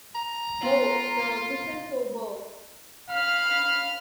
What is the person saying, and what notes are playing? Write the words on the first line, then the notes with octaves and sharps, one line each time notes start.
Oh, the mistletoe bough!
A#5
B3 F4 F#7
F5 B5 F6